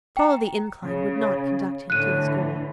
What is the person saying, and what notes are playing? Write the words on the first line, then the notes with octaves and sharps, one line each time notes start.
To follow the incline would not conduct him to his goal.
G5 A#5
C#3
A2 D3 E3 F#6 D#7